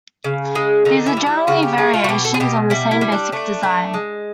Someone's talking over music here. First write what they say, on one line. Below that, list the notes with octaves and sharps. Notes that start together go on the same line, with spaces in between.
These are generally variations on the same basic design.
C#3
G#3
D3 D#4
E4
G3
E4
C#3 F#4
G4
A3 G#4
F4
F#4
B2 G4
A4
G#4
B2 G4
G3 E4
E4
G3
D4
A3 D4
A3
G#3